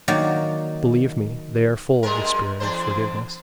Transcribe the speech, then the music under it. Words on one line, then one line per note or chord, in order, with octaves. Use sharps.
Believe me, they are full of the spirit of forgiveness.
D#3 F#3 A#3 D5
F#2 G#3 A#4
E2 D4 C5